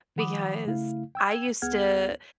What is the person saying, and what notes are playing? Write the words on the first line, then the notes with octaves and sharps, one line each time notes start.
because I used to
D#3 F3 F#5 B5 D6 D#6
C#3 A3 E4 F5
G5 E6 G#6
C#2 B3 G#4 F#5 F6 G#6